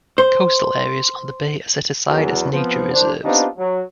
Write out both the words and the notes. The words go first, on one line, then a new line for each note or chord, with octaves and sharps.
Coastal areas on the bay are set aside as nature reserves.
C5
E2 F#3 F#4
F3 B3 C4
C2 D4 C5
B3 C4 D4 D#4 F4 G4
F#3